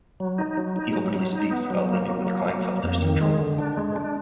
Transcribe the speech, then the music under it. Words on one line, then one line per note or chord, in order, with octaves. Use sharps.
He openly speaks about living with Klinefelter syndrome.
F#3
D#4
F#3
D#4
F#3
F#3
D#4
B3
F#3
A#3
F#3
A#3
F#3
A#3
F2
D#3
G#3
D3
D4
G#3
D4